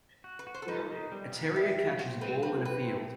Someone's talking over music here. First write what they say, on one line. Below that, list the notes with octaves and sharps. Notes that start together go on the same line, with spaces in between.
A terrier catches a ball in a field.
F#4
B4
F#4
C5
A4
D#4 B4
D#4
G3
B3
G3 E4
B3
C4 F#4
C4 B4
C4 B4
C4 B4
A3